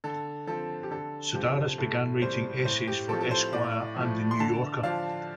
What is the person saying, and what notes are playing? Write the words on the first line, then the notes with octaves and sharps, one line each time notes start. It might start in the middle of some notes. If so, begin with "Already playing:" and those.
Sedaris began writing essays for "Esquire" and "The New Yorker".
D3 A4
F3 C4 A4
G4
D3 A4
F3 C4 G4
A2 A4
G3 C4 C5
A2 C5
G4
F3 C4 A4
A4
C5
A2 D5
F3 A3
C6
D3 A5
F3 D4 F5